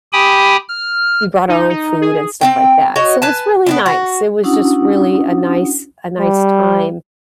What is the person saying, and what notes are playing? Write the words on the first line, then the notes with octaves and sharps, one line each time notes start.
we brought our own food and stuff like that, so, it was really nice, it was just really a nice a nice time
G4 G5 G#5 B5 D#6
F6
D#4
D#4
G#4
C4 C#4 G5
F#4 C#5 D#5
B4 G#5 A5
B3 C4 D4
F#4
C#4 D4 E4 F#4 F#5 D#6
G3